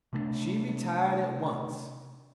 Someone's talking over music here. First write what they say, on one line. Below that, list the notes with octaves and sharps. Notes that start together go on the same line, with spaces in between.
She retired at once.
C3 A3 B3 D4